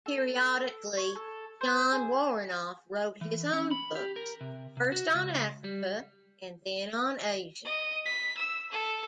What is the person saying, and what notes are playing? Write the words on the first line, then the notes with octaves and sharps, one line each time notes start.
Periodically Jon Woronoff wrote his own books, first on Africa, then on Asia.
A4
C#5
A4
C5
G#4
E3
C#4
B5
G4
A#4
C3
C3
F#4
C#2
G3
D#5
B6
E6
A4